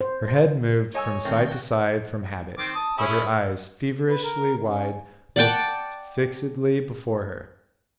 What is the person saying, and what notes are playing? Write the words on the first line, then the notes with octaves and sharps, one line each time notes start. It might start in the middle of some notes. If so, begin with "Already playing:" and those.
Her head moved from side to side from habit, but her eyes, feverishly wide, looked fixedly before her.
C5
C#5 D#5 G#5 E6
D#3 A3 C4
F#4 G5
D#3 C4 D6
A5 D#6
C#4 E4 G#4
B4
A#4
C#4
D5 F#5 G5 A5